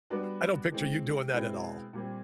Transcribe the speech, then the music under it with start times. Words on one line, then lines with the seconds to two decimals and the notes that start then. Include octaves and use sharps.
I don't picture you doing that at all.
0.10 G3 B3 D4 F#4 B4
0.71 E3 G#3 C4
1.32 B2 G#3 C4 E4
1.93 A#2 G3 C4